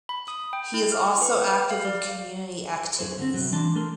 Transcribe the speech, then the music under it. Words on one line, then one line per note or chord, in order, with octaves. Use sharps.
He is also active in community activities.
B5
D#6
G5
E4
F6
C#6
B4
F6
F5
D5
F#2 G#4 C5
D3 C4
C3 F#3
E3 G#3 D4 A5 C6
A3 A#4 C6